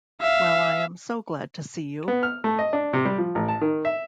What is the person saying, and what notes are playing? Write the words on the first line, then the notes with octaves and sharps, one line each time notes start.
Well, I am so glad to see you.
E5 F5
B3
F6
A3
D#5
D4
C3
G3
F3
A1
A5
D#3
E5